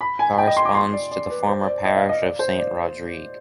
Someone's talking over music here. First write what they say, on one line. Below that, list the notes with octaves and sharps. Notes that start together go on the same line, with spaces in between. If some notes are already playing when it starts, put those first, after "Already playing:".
Corresponds to the former parish of Saint-Rodrigue.
B5
G#5
G5
D#5
C6
D6
C6
D5
D5
B4
C5
D5
D#5
F5
D#5
D5
C5
D5